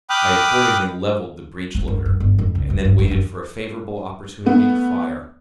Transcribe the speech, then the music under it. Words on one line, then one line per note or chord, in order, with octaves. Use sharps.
I accordingly levelled the breech-loader, and then waited for a favourable opportunity to fire.
G5 B5 D6 D#6 F6 F#6
C4
F#2
F#2
G1
F2
C#2
F2
G2
F2
F#2
A3 B3